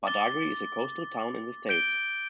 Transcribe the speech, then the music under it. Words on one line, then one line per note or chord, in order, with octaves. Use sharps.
Badagry is a coastal town in the state.
D6 A6 G7
G6 D7 G7